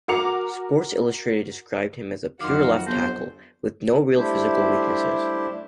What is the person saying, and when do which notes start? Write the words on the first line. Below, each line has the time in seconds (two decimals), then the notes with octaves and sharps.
"Sports Illustrated" described him as "a pure left tackle" with "no real physical weaknesses".
0.08 F#4 A#4 D6 C#7 F7
2.41 F2 D#3 F#3 F#4 F5 C6 D6
2.87 G1 B3 C5 F#5
4.17 G3 A3 D4 E4 G4 C5